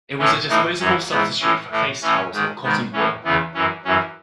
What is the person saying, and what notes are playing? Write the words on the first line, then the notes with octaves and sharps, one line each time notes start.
It was a disposable substitute for face towels or cotton wool.
A2 E3 C#4
A2 E3 D#4
F#2 E3 C#4
G#2 E3 B3
A2 E3 C#4
A2 E3
A2 E3 C#4
G#2 D#3
G#2 D#3 B3
A2 E3 C#4
E2 C#3 E3 B3
F#2 E3 C#4
F#2 E3 C#4